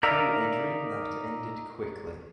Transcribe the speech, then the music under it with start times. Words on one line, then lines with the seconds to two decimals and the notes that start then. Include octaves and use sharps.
To a dream that ended quickly.
0.03 D#4 A#4 D5 E5 F5